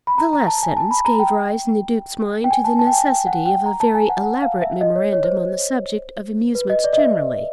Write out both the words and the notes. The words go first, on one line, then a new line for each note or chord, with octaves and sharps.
The last sentence gave rise in the Duke's mind to the necessity of a very elaborate memorandum on the subject of amusements generally.
B5
A#5
A#5
A5
G#5
A5
B5
A#5
G5
G5
G#5
A5
A5
G5
G#5
G5
F#5
G5
A#5
A5
G#5
F#5
F#5
F5
E5
D#5
C#5
C#5
C5
B4
D#5
D5
D#5
E5